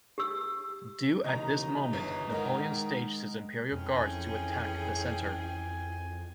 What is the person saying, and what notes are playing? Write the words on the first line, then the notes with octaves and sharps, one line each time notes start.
Due at this moment Napoleon staged his Imperial Guards to attack the center.
G4 E6
D#2 C#3 E3 D#4 D#5 A#5
G1 C#5 A#5
D#3 G#3 A#4 D#5 F#5
F2 A2 E3 C#4 G#4 G5 G#5